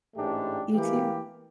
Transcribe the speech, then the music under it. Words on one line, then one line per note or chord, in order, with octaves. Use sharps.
You, too.
A1 G#2 G#3 A3 D4 G4
E3 A#3 G4